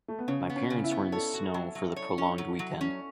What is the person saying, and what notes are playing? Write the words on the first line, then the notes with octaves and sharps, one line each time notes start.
My parents were in the snow for the prolonged weekend.
A3
B3
C#3 C#4
B3
C#4
C#3
E4
B3
A4 C#5
F#4
F#3
F#3
C#5
C#4
F#3
F#3
C#4